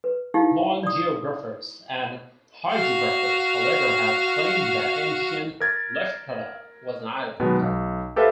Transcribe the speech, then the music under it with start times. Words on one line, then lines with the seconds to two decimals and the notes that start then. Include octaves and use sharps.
Modern geographers and hydrographers, however, have claimed that ancient Lefkada was an island.
0.04 B4
0.34 D#4 E4 G4 F5
0.83 D5 D#6
2.72 F#4 F5
5.60 A#4 G#6 A6
7.40 B2 D#3 F#3 G#3 B3
7.62 B1
8.16 G4 A4 B4 C5 E5 F5